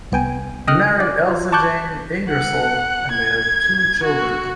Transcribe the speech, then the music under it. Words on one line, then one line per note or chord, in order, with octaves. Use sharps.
He married Elsie Jane Ingersol and they had two children.
C2 B3 G5 G#5
D#5 G5 D#6 F6 F#6
D5
F4
A5 C#6 D6 F#6 G6
F#5
G#6
F#4